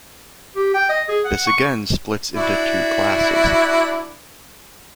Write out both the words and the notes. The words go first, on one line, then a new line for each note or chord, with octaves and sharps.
This again splits into two classes.
G4
G5
D#5
G#4
F#5
C#6
D4 E4 F#4